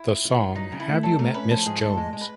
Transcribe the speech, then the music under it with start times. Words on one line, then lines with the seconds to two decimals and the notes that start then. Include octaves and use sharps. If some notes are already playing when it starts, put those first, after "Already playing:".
The song Have You Met Miss Jones?
Already playing: E4
0.09 F4
0.25 F4
0.41 F4
0.55 F#3 D#4
0.72 C#3
0.80 E4
0.88 A3
1.03 F#3 A4
1.19 A3 A#4
1.34 C#4 B4
1.50 F3 A4
1.66 G#2 G#4
1.82 G#2 A4
1.97 G#3
2.13 G#3
2.21 B4